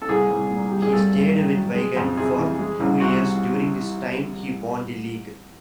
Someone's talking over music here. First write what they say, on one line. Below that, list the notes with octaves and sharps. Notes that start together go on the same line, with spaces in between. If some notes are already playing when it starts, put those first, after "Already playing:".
He stayed with Wigan for two years during this time he won the league.
A4
C2 G#4
C2
A#2
G3
G#4
G2 A4
G2
D#3
F#3
G#3
F2
C3 G#4
E3
G#3
C2
C3 F#4